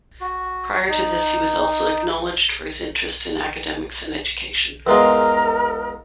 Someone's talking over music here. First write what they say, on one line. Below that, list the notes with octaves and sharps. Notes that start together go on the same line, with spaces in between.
Prior to this, he was also acknowledged for his interest in academics and education.
F#4
D#4
E2 G#3 F4 A#4